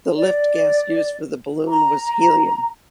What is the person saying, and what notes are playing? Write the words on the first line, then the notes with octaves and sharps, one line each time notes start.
The lift gas used for the balloon was helium.
D5
A#5